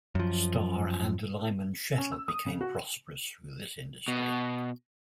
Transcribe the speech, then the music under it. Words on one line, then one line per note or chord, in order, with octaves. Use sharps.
Starr, and Lyman Shettle became prosperous through this industry.
F#2 F3
C#4
E6
D#6
C#3
F#4
B2